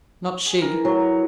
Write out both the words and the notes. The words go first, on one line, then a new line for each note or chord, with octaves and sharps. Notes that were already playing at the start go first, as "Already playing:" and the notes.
Not she.
G#4
E3 A#4
F#3